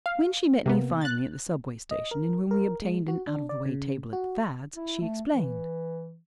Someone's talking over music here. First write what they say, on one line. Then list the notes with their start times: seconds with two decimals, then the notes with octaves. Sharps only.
When she met me finally, at the Subway station, and when we obtained an out-of-the-way table at the Fads, she explained.
0.06 F5
0.66 C3 A#3 B3
1.01 F#6 A6
1.91 D#5
2.11 A#4
2.51 A#4
2.82 G#3
3.08 F#4
3.27 D4
3.49 D5
3.66 C#3
4.13 F#4
4.76 E4
5.01 A3
5.34 E3